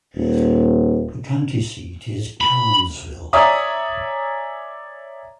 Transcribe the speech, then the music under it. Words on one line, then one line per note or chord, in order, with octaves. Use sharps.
The county seat is Carnesville.
D#1
B5
C#5 D5 E5 G#5 A#5 D#6